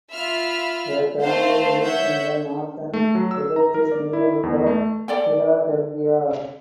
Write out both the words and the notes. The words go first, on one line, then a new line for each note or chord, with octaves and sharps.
The family lives in the Northern Liberties neighborhood of Philadelphia.
F4 E5 B5 F6
A3 C4 C5 F5
C#5 E5 F#5 G6
A3
F#3
E6
A#5
A#4
D5
E4
E2
A3
A4 D5 G5